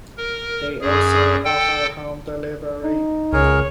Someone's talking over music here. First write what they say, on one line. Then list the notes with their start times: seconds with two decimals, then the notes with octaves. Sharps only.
They also offer home delivery.
0.18 A#4
0.81 F#2 G#4
1.45 A4 G5
2.84 D#4
3.33 C#2 G#4 A#4 C#5